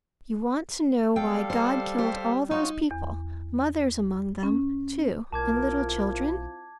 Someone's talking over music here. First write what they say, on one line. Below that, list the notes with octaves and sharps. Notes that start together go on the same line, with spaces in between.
You want to know why God killed all those people--mothers among them, too, and little children?
G3 B3 A4 F5 G5
C5
G4 C5
D#4 F4 F#4 C#5
E2
C#4
B1 C4 E4 F4 A#4 A5 D6 G#6